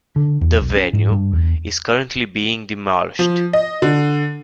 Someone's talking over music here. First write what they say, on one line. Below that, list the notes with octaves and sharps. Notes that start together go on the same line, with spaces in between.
The venue is currently being demolished.
D3
E2
B1
C#4
G#2
G2
E2
F3
D#5
D3